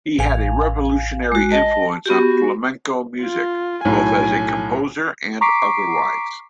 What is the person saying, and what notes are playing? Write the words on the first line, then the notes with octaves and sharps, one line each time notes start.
He had a revolutionary influence on flamenco music both as a composer and otherwise.
A1 F5 G#5
G#3 F#4
D#5 A5
B3 F#4 G4
F4
B1 A2 G#5
A#5 C#6 D6 B6 C7 D7